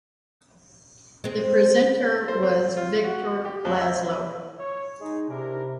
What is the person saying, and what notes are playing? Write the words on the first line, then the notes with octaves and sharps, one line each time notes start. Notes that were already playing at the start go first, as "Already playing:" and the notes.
The presenter was Viktor Lazlo.
G#3 C4
C5
C4
F4
F#4
G4
F2
E5
C#5
G#3 D#4 G#4
C3 D4 E4 A#4